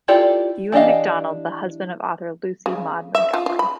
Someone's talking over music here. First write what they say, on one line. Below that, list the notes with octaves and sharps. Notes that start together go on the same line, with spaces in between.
Ewan Macdonald, the husband of author Lucy Maud Montgomery.
E4 F4 G4 A4 D5
E3 D4 G4 D#5 F5
C#3
E5
F4
F4
B5